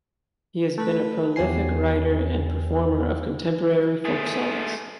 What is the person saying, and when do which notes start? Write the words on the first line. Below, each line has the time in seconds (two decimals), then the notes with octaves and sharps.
He has been a prolific writer and performer of contemporary folk songs.
0.78 A3 B4
1.36 E2 G4 C#5 G#5 C7
4.05 A3 G#4